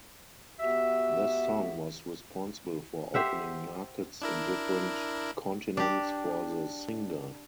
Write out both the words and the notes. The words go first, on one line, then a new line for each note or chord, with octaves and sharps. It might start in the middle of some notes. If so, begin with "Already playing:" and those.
This song was responsible for opening markets in different continents for the singer.
B3 F#4 G4 E5
G4 C5 E5 F#5
D4 E4 A#4
D4 G4